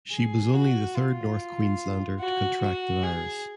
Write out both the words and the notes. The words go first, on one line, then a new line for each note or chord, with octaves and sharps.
She was only the third North Queenslander to contract the virus.
G#4
F#4
F4
F#4
F#4
G#4